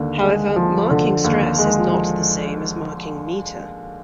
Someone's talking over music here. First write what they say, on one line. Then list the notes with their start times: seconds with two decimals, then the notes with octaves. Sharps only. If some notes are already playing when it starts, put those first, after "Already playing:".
However, marking stress is not the same as marking meter.
Already playing: D#2 D3
0.22 G#3
0.56 F3
0.91 D3
1.24 D#2
1.58 G#3
1.92 F3